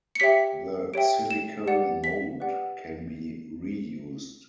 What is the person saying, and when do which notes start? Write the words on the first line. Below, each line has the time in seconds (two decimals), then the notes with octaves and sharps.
The silicone mold can be reused.
0.15 C#7
0.20 G4 C#5 E5 G5 B6
0.94 G4 C#5 E5 G5 D7
1.31 E7
1.67 G4 B4 D5 F#5 C#7
2.04 B6
2.40 G4 B4 D5 F#5